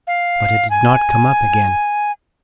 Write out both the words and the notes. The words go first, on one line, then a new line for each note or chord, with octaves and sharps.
But it did not come up again.
F5
G#5